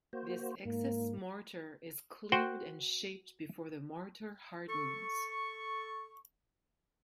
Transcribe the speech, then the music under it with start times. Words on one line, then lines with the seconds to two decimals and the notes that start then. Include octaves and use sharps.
This excess mortar is cleared and shaped before the mortar hardens.
0.13 A#3 F#4 C5
0.65 G#2 A#3
2.32 F#4 C5 F#5 G5
4.69 A4 C#6